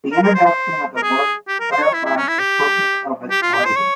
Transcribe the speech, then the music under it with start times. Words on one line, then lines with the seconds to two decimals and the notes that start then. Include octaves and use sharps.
The introduction of the work clarifies the purpose of its writing.
0.12 A#4
0.23 A#4
0.35 C5
0.45 C5
0.97 A#4
1.03 G#4
1.48 G4
1.60 A#4
1.71 C5
1.82 C#5
1.94 E4
2.05 E4
2.17 C#4
2.28 E4
2.39 G4
3.30 G4
3.42 F4
3.53 G4
3.65 C5
3.76 C#5